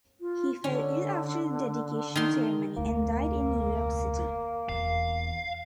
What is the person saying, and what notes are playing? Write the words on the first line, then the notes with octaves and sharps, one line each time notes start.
He fell ill after the dedication ceremony and died in New York City.
F4
D3 C#4
D#3 C6
F1 D2 A3 A#3
E1 E2 F5